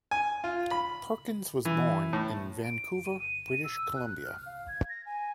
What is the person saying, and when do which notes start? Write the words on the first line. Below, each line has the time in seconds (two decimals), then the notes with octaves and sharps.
Perkins was born in Vancouver, British Columbia.
0.11 G#5
0.44 F4
0.71 B5
1.65 E3
2.13 A2
2.64 D7
3.05 D#7
3.19 D#7
3.64 E6
3.96 F#6
4.25 F6
4.46 F5
4.68 G#6
4.89 A#6
5.06 G#5